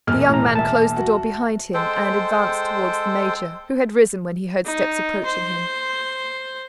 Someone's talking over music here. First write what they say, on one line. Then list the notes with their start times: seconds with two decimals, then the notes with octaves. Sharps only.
The young man closed the door behind him, and advanced towards the major, who had risen when he heard steps approaching him.
0.07 E1 A#2 F6
0.29 A2 A#5
0.55 E5 A5
0.96 F#4
1.74 G#3 A4 C5 G5
4.65 D#4
5.25 C5